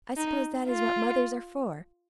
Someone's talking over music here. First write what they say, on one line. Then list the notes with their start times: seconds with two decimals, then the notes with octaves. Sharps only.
"I suppose that is what mothers are for!"
0.17 D#4
0.68 F4